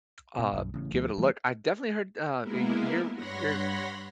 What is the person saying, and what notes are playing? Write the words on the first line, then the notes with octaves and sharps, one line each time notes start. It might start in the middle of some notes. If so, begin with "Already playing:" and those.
a, give it a look. I definitely heard, uh, you're you're
B2
B1 F#2
A1 C#3
D2 F3 A3
E3 G3 A3
G#3 A#3 B3 E4 A#4
G2 C#5 F#5 B5 C6 A#6